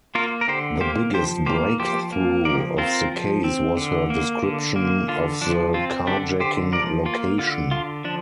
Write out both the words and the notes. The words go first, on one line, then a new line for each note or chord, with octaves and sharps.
The biggest breakthrough of the case was her description of the carjacking location.
A#3 F4 A#4
A#4
D3 G4 C5
A#3 G4 C5
F3 G4 C5
A#3 G4 C5
F3 G4 C5
A#3
F3 A#4 D5
C4 F4 A#4
F3
C4
D3
A#3
D3
A#3
D3 F4
F3 D4
C4 F4
D3 D4 G4
D3 G4 C5
F3 A#4 D5
A#3 F4
D3 F4
D3 F4
F3 D4